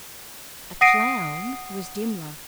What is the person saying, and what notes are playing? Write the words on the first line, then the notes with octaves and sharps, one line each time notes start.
A clown was Dimmler.
F#5 D#6 A#6 C7 D7 D#7